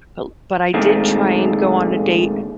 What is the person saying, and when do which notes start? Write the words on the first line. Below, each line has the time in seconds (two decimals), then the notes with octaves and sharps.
But l but I did try and go on a date,
0.74 A#2 D3 D#3 G#3 A3 C4